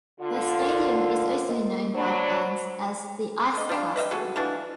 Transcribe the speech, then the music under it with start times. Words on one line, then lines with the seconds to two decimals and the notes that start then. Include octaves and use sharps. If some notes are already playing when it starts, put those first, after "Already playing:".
The stadium is also known by fans as the "Ice Castle".
0.20 D3 F4
0.61 A#4 D5
1.49 A#3 A#4 D#5
1.95 F#3 D4 C5 B5
3.54 D3 D#5
3.69 F3 G3 D4 F4
3.96 B4 D#5 E5 G5
4.11 F#4 G#4 A4
4.36 E3 F3 D4 F#4